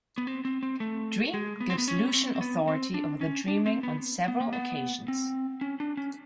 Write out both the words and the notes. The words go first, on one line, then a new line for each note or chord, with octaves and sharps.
Dream gives Lucien authority over the Dreaming on several occasions.
B3
C4
C4
C4
A3
G#3
B3
C4
B3
C#4
B3
C4
C4
B3
C4
D4
C#4
D4
C4
B3
B3
A#3
B3
C4
C#4
D4
C#4